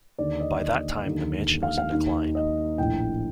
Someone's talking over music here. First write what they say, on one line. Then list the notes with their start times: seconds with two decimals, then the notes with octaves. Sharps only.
By that time the mansion was in decline.
0.18 D#2 D3 D5
0.40 D#5
1.05 D#2 D3
1.63 F5
1.78 F5
1.92 D#2 D#3
2.35 D#5
2.78 A#1 A2 G5